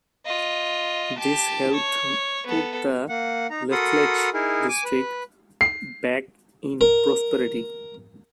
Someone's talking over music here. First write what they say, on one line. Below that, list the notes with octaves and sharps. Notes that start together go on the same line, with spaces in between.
This helped put the Lafleche district back in prosperity.
F4 D#5
G4 A5
C#5
B3 A4
A#3 F#5
D#4 A#5
F#4 A4 A#4 B5 C6 D#6
D#4 E4 G#4 A#4
G#5 D6
B4
C7
A#4